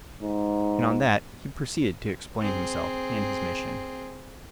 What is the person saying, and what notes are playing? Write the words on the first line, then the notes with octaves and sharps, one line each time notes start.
And on that he proceeded to explain himself and his mission.
G#2
C4 G#4